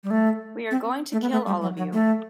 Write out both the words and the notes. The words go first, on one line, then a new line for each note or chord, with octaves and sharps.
We are going to kill all of you.
G3
A3
C4
A3
B3
A3
G3
F#3
F#3
A3